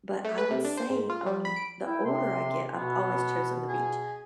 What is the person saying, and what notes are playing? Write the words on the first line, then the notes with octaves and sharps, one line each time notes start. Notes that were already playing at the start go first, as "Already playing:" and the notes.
but I would say, um, the older I get- I've always chosen the beach,
A3
B4
C3
D4
C5
G#2
F4
G3
B5
D7
E4 G5
C3 C6
B2 B3
G#4